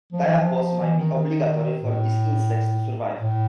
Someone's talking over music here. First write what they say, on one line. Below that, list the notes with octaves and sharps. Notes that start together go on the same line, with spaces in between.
Diapause may be obligatory for these insects to survive.
F3
E3
F3
E3
D#3
D#3
A2
A2